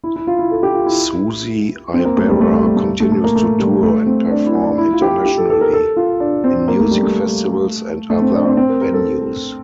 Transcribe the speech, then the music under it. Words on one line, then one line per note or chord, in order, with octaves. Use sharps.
Susie Ibarra continues to tour and perform internationally in music festivals and other venues.
E4
E4
F4
E4
A4
G4
F4
E4
C4
A#3
A3
G3
A3
A3
G3
A3
A3
A3
A#3
A3
G3
A3
C4
D4
E4
D4
E4
F4
G4
G4
A4
A4
A#4
A4
F4
D4
C4
A#3
A3
G3
A3
A3
C4
D4
C4
C4
A#4
A#4
A4